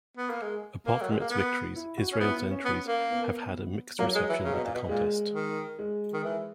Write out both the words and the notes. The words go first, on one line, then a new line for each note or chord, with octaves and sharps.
Apart from its victories, Israel's entries have had a mixed reception at the contest.
B3
A#3
G#3
A#3
F#3
G#3
A#3
B3
E4
F#4
C#4
B3 E4
B3
C#4
B3
A#3
B3
F#3 A#3
G#3
E3
C#3
B2
A#2
B2
A#2 G#3
D#3
G#3
D#3
E3